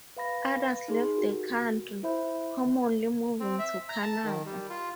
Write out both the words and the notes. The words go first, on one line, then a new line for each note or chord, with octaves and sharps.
Others left the country, commonly moving to Canada.
B4 F5 B5 A#6
D#4 G#4 C6
F#4 G4 A#4
E4 C5 E5 B5 G6
C4
E5
A#5
A5
D#3
G3
F4